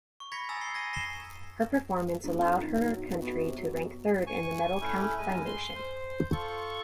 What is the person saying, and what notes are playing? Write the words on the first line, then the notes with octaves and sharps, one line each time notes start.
Her performance allowed her country to rank third in the medal count by nation.
C#6
B5 C#6 G#6 A#6 B6 C#7
G#5 A#5 D#6 E6 A6
C7 G7
G#6 A#6 D#7
A#6 C7 E7 G7
A#1
F2
D#3
B1
F#3
F1
B2
C3
F#3
B2
G#5 C#6
A3 C#4 E4
G#3 G#5
C6
C5
F4 A4 C#6